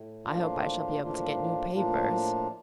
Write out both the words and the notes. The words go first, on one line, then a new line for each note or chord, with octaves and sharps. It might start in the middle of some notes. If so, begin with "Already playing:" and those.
I hope I shall be able to get new papers.'
Already playing: A2
A2 F3 A#3 D4 F4
A2 F3 A#3 D4 F4
A2 F3 A#3 D4 F4